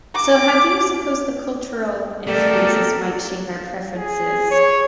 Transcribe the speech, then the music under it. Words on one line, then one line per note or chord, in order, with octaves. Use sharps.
So how do you suppose the cultural influences might shape our preferences
D6
A3 B3 G4 A4 A#4 D5
G#4
C#5